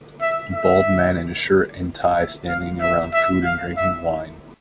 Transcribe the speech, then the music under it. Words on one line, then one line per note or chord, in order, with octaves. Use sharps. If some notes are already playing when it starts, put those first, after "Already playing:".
Bald man in a shirt an tie standing around food and drinking wine.
E5
E5
E5
F5
E5
E5
F5
E5